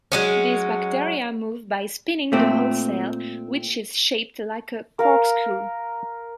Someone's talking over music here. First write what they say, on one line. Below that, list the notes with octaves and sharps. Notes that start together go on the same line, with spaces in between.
These bacteria move by spinning the whole cell, which is shaped like a corkscrew.
F#3 G#3 C#4
A#2 A3 C4
A#4 F5